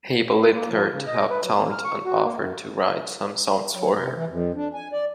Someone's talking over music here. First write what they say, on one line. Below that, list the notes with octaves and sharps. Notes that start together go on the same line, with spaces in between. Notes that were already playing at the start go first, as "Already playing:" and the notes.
Hay believed her to have talent and offered to write some songs for her.
A#3
F3
C#3
D#5
B4
F#3
A#3
F6
C#6
F#4
A#3
F#2
F#3
C3
E3
F2
D4
G#5
D5